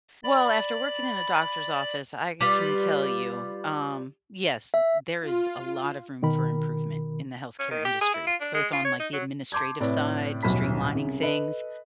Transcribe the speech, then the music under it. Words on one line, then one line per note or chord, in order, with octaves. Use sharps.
Well, after working in a doctor's office, I can tell you, um, yes, t there is a lot of room for improvement in the health care industry, both on, like, the administrative side, streamlining things,
D5 B5
G3 F4 B4
E5
F4
B2 D#3 A#4 B5
C#4
D#3
G4
G#4
E4
F4
D4
G#3
F4
C#5
D#4
F#3
A5 C6 D6 G6 G#6
A2 C3 B4 D5
D#1 B1 A2 B5 B6
C2 C#3
A4 B4 D#5